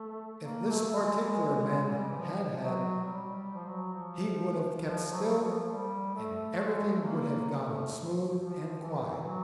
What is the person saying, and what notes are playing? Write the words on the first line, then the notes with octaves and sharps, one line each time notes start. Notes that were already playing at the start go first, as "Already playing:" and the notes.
If this particular man had had, he would have kept still, and everything would have gone on smooth and quiet.
Already playing: A3
A#3
A3
G#3
G3
G#3
G#3
G3
E3
F3
F#3
G3
G3
F3
F#3
F3
F3
F#3
G3
F#3
F3
G3
A3
G#3
G#3
A3
A#3
A3
F3
E3
D#3
E3
F#3